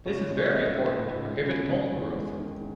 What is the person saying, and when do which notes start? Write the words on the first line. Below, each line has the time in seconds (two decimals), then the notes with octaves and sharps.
This is very important to prohibit mold growth.
0.06 C#2 C#5
0.28 G#3 C#5
0.46 E5
0.52 C#3 D#5
0.75 D#4 E5
0.99 C#2
1.23 G#3
1.46 C#3
1.69 D#4
1.92 E2
2.16 G#3
2.39 D#3